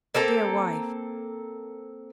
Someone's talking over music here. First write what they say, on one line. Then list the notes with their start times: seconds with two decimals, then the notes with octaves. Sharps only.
Dear wife!
0.15 A#3 C4 A4 A#5